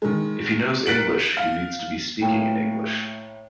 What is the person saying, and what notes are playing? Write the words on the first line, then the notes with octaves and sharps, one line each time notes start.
If he knows English, he needs to be speaking in English.
D#3 G#3
A#4 F#6 A6 B6 D7 F#7
F5
A2 A3 A#3 G5